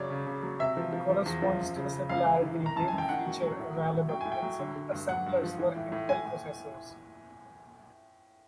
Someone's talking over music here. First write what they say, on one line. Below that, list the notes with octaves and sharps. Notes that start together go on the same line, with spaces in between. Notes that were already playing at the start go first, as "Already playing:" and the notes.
It corresponds to the similarly named feature available in some assemblers for Intel processors.
Already playing: F#2 C#3 F#3 C#5 D5
C#3
C#3
F#3
C3 E5
F3
F3
F3
E2
F3
F#2
C#3
C#3
F#2 F5
F#2
E3
D#3
A#5
F#2 A5
F#2 G#5
G5
D#3 F#5
F#3
F#3
A2
F#3
A2
F#3 G5
A2 G#5
G5
F#3
D3
D3
G2
G2 F#5
G2
F3
E3
A2
A2
A2 G#5
A2